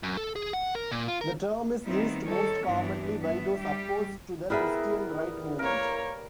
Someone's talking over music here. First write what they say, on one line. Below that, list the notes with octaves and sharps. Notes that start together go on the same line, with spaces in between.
The term is used most commonly by those opposed to the Christian Right movement.
F#2
A4
G#4
F#5
A#4
A#2
F4
A#4
D#3 G3 B3 C4 D#4 E4
G3 C4 D#4 A4 C#5
G2 E3 B3 C4 D4
G2 G3 B3 E5
G3 G4
G3 B3 E4 G#4 A#4 E5
A#3 A#4 C#5